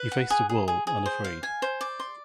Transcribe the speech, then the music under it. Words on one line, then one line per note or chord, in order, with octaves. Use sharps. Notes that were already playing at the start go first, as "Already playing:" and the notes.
He faced the world unafraid.
Already playing: B4
F#5
G#4
G#4
G#4
G#4
C5
F5
G#5
C5
D5
C6